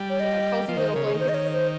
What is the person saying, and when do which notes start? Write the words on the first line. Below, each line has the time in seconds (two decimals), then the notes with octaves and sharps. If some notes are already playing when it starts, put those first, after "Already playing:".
you know, cozy little blankets
Already playing: G3
0.10 C#5
0.20 D#5
0.69 F3
0.77 D#3 C5
0.92 C#3 A#4
1.06 G#4
1.14 D#3
1.19 C5
1.29 D#5
1.34 C#5
1.53 C5